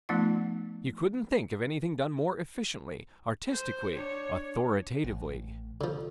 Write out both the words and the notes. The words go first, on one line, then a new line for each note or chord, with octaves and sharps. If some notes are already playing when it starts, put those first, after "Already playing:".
You couldn't think of anything done more efficiently, artistically, authoritatively.
F3 A3 B3 D#4 F4 F#5
C5
D4 C#5
A1
D3 F3